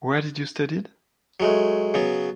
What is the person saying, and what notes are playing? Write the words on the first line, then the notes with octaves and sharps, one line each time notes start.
Where did you studied?
F#3 G#3 A3
C#3 F#3 B3